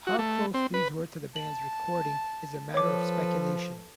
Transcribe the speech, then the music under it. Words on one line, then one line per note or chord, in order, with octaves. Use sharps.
How close these were to the Band's recording is a matter of speculation.
F#4
A3
C4
B4
A5 F#7
F3 A4 B4 C#5 D6